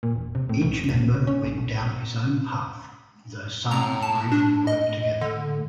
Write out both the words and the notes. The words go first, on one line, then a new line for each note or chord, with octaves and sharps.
Each member went down his own path, though some have briefly worked together.
A#2
E1
C3
A2
C2
F1
A1
D#1
C#3
C#4
A#1
B1
A2 A#5
A5
D4
D#5
D3